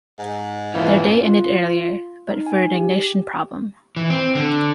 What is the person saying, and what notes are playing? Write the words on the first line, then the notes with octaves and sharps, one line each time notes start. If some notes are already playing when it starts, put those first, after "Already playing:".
Their day ended earlier, but for an ignition problem.
G#2
E3 A#3 C#4 F4
F4
D#4
G#5
G4
E3
C4
D3